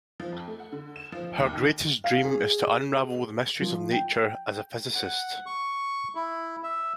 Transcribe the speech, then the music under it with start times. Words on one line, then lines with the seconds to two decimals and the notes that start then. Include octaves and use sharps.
Her greatest dream is to unravel the mysteries of nature as a physicist.
0.20 F3
0.32 F2
0.48 A3
0.60 F#5
0.72 D3
0.96 E7
1.12 F3
1.24 F3
1.38 D#2
1.53 D#3
2.04 F5
2.25 G#4
3.61 F3
3.92 G5
4.95 F#5
5.46 C#6
6.15 E4
6.63 E5